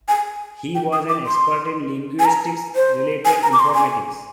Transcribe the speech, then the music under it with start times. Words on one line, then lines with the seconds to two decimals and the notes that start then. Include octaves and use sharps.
He was an expert in linguistics-related informatics.
0.08 G#5
0.75 G5
0.93 D#6
1.09 D6
1.26 C6
2.19 G#5
2.25 A#5
2.76 C5
3.25 G#5
3.43 A#5
3.53 D6
3.59 C6
3.75 G#5